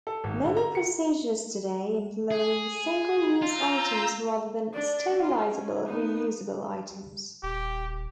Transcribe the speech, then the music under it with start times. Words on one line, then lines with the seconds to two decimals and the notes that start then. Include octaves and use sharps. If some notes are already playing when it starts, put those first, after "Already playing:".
Many procedures today employ single-use items rather than sterilizable, reusable items.
0.07 A4
0.24 G#1
0.45 D3
0.57 A#5
0.75 C#7
2.31 G#4
3.42 F4 A#5 E6 G6
4.73 D4 D5
5.21 F4
5.53 C#4
5.86 B3 D#4
7.43 D#1 G4